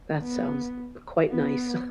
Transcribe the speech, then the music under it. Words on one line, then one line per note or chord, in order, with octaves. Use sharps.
That sounds quite nice.
B3
B3